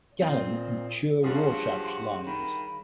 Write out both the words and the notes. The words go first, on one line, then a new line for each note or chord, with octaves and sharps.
Gallen and Chur–Rorschach lines.
A#2 C4 F4 D#5
G2 C#3 F3 F#4 G4 C6
D#3 B5